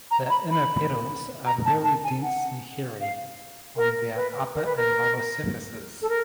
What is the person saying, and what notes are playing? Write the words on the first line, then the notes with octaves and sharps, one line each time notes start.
The inner petals are very densely hairy on their upper and lower surfaces.
A#5
B5
B5
A#5
A5
A5
G#5
F#5
F5
A#4
B4
A#4
B4
A#4
A4
A#4